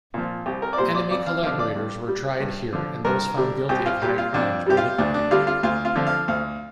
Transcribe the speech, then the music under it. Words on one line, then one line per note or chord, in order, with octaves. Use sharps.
Enemy collaborators were tried here and those found guilty of high crimes were liquidated.
A#2 F3
C2 G4
A#4
D5
A#2 G3 C5
D5
F2 D5
F5
D3 F3 F5
D5
G2
G3
G2
D3 F3
G2 A#4
D3 G3
C2 G4
F4
A#2 G3 G4
F4
F2 D4
C3 G3 G4
F4
D2 D4
D4
D3 G3 F4
F4
D2 F4
F4
D3 F3
F5
D2 F5